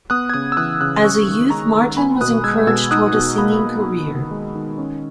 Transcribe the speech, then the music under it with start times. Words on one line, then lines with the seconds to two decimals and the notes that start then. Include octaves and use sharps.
As a youth Martin was encouraged toward a singing career.
0.10 B3 D#6 F#6
0.29 G#6
0.34 C#3 D#6 F#6
0.52 E6
0.57 E3 D#6 F#6
0.81 C#3 D#6 F#6
1.03 C#4 C#6 E6
1.27 D#3
1.50 G#3 A#5 C#6
1.75 D#3
1.97 B3 G#5 B5
2.21 B2 D#6 F#6
2.44 G#3 E6 G#6
2.67 B2 E6 G#6
2.91 D#4 D#6 F#6
3.14 B2
3.38 A#3 B5 D#6
3.61 B2
3.85 D#4
4.08 D#3
4.31 G#3
4.55 D#3
4.78 C#4